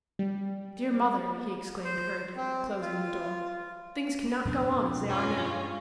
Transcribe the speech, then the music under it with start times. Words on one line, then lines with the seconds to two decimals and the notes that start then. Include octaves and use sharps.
"Dear mother," he exclaimed hurriedly, closing the door, "things cannot go on as they are now."
0.19 G3
1.84 C5
2.36 C4
2.82 F4
4.45 F2 B2 D4
5.09 G2 C#4 F4